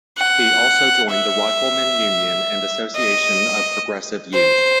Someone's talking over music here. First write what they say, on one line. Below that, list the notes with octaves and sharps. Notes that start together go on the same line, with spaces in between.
He also joined the Riflemen Union and "Association of Progressive Youth".
F#5
E5
D#5
C5